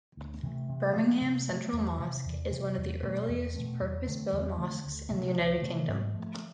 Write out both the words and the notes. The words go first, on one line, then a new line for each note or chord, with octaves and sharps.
Birmingham Central Mosque is one of the earliest purpose-built mosques in the United Kingdom.
D2
C3 E3 A3
C3
F3 A3 C4
C3
F3 A3 C4
E2
C3 E3
E2
C3 E3
E2
B2 A3 C4
E2
B2 A3 C4
E2
D3 A3 C4
E2
D3 A3 C4
D2
C3 F3 A3
D2
C3 F3 A3
G#2
F3 A3